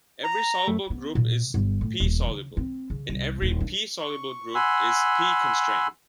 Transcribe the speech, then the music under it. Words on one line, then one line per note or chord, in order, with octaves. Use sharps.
Every soluble group is "p"-soluble, and every "p"-soluble group is "p"-constrained.
A#5
F#2 A3
B3
A#2
G1
A2
D#1
C#3
C4
C#3
C2
D#1
D4
C#6
F#5 G#5 B5 C6 E6